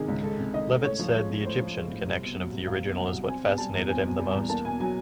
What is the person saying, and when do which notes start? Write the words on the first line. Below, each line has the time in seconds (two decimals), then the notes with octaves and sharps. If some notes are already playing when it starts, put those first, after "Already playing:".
Levitz said the Egyptian connection of the original is what fascinated him the most.
Already playing: C3 D#3 G#3 G#4
0.08 C#2
0.23 G#3 A4
0.39 C3
0.54 D#3 D#5
0.69 C#2
0.84 A2 C#5
0.99 F3
1.14 G#3
1.30 A2
1.45 A2 C5
1.60 F3
1.76 G#3
1.91 A2
2.06 C2
2.22 B2
2.37 F#3
2.52 C2
2.66 C2 F5
2.82 B2
2.97 F#3 F#5
3.12 C2
3.28 C4 G#5
3.43 B2
3.58 G3 A5
3.73 E2
3.89 C4 G#5
4.04 B2
4.19 G3
4.34 E2
4.49 A#3 A5
4.65 B2 G#5
4.80 F#3 G#5